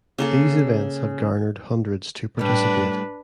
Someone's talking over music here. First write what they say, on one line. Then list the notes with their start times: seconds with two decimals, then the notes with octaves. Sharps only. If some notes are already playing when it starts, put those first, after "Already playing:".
These events have garnered hundreds to participate.
0.18 C#3 A#3 A4
2.39 A2 G3 D4 B4